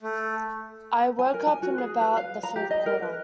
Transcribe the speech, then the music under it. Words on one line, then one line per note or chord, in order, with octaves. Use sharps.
I woke up in about the third quarter.
A3
G#5
A#4
G#5
F#4
G#4
B4
F5
A#5
G4
D#5
A#4
B4